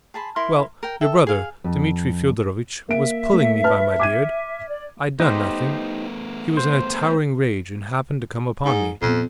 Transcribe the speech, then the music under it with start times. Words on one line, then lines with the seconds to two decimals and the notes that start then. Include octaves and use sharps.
Well, your brother Dmitri Fyodorovitch was pulling me by my beard, I'd done nothing, he was in a towering rage and happened to come upon me.
0.14 G#4 A5 B5 C6
0.36 E4 A#4 C6
0.83 A#4 G5
1.01 A4 E5 G5
1.27 G#4 F5
1.64 F2
2.89 A#3 E5 D7
3.33 A3 A#3
3.64 B4 A5 F6
4.00 D6 G#6 D#7
4.69 D5
5.20 A3 B3 D#4 G4 C5
6.57 C5
8.65 G#2
9.02 F2 A#2 B3